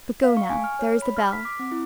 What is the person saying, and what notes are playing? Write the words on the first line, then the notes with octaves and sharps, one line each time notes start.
But go now; there is the bell.
F5
C#6
G#5
F6
C#5
B5
F6
B6
D6
C4
E4